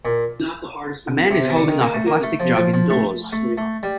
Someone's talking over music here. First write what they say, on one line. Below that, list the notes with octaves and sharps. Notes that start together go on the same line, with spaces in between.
A man is holding up a plastic jug indoors.
A#2
C3
D3
D#3
A#3
A3
A#3
A3
F3
F3
F3
A3
A3
A3
G3